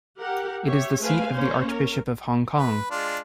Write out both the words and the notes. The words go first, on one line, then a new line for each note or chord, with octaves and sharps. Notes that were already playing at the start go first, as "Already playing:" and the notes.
It is the seat of the Archbishop of Hong Kong.
G4 A#4 F#5
G4 C#5 E5
G#3 A3 B4 C5 F5 G#5
A#3 C#4 C5 C#5
A#4
B4
G#3 D4 F4